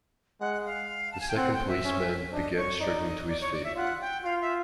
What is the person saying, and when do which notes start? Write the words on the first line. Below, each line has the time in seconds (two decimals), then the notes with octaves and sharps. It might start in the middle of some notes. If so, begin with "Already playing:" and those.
The second policeman began struggling to his feet.
0.40 G#3 F#5
0.65 F5
1.12 A5
1.20 G#5
1.28 G5
1.37 C4 F#5
1.52 G5
1.68 E5
1.85 C#4
2.32 D4 D#5
2.56 C#5
2.80 D#4 D5
3.05 D#5
3.28 D5
3.41 C#5
3.53 D5
3.64 E5
3.76 F4 F#5
4.01 G5
4.24 F4 F5
4.41 E5